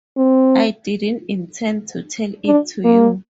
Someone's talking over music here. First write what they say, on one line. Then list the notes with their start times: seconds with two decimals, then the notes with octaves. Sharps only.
I didn't intend to tell it to you.
0.17 C4
2.46 D4
2.84 A#3